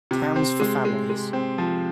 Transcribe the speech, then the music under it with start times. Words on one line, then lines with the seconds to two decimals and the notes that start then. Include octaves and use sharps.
Towns for Families.
0.11 C3
0.36 C4
0.60 G#3
0.85 G#3
1.10 G#3
1.33 C4
1.58 F3